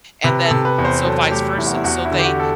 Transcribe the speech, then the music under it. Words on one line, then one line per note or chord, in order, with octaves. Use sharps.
and then, so vice versa, so they
C3 B4
A4
C3
B4
E2
C5
F#3 A4
A3 G4
E2 E4
F#4
E4
E2 F#4
E4
D3
G4
F#4
A4